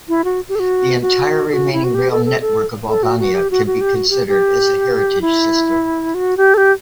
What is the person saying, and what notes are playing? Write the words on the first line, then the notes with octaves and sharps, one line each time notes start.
The entire remaining rail network of Albania can be considered as a heritage system.
E4
F#4
G4
A4
F#4
F#4
A4
F#4
E4
F#4
G4
A4
A4
A4
A4
F#4
F#4
G4
F#4
F#4
G4
F#4
G4
G4
E4
F#4
G4
A4
G4